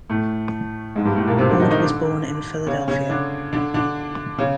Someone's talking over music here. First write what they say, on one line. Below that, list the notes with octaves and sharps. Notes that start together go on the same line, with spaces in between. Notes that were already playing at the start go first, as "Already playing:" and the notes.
Ord was born in Philadelphia.
A2 A3
G#2 G#3
G2 G3
A2 A3
A#2 A#3
C3 C4
D3 D4
D#3 D#4
D#3 D#4
D3 D4
C#3 C#4
C#3 C#4
D3 D4
D3 D4
D3 D4
C#3 C#4